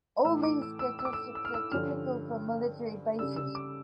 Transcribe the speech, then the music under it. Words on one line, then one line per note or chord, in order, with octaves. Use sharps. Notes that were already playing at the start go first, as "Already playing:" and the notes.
All these statistics are typical for military bases.
A2 E3 A3 E6
D6
E6
E6
E6
D6
E6
E6
F6
E6
G2 D3 F3 C#4 F6
C#3 G3 D4 E6
E6
D6